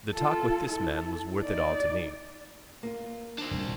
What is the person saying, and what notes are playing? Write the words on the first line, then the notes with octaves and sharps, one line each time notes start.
The talk with this man was worth it all to me.
F4 A4
E4 A4
D#4 D5
A#3 F4
D4 C5
D#1 C2